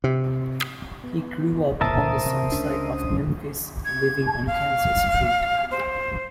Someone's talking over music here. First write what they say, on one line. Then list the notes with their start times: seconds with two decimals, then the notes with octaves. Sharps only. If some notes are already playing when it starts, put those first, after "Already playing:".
He grew up on the south side of Memphis, living on Kansas Street.
0.04 C3
1.04 B3
1.81 C#2 A#2 A#4 C5 E5 A5 D#6
2.26 C3
2.52 C#2 C#4 D4
3.85 G#6
4.47 F5
5.71 C5